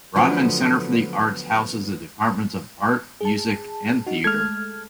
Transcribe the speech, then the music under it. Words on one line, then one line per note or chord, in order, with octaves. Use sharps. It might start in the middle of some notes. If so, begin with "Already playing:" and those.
Rodman Center for the Arts houses the Departments of Art, Music, and Theater.
D3 F3 F#3 A3 B3 C5
G#4 A5
D#4 F#4
G#3 A3 A4 F6 G#6